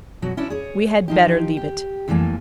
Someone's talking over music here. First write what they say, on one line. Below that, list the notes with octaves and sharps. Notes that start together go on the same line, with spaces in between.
We had better leave it.
B2 F#3 F#4
C#4 D4 E4 B4
G#4 C#5
F3 D#4 G4
G4
F2 E3 G3 A3 A#3 G#5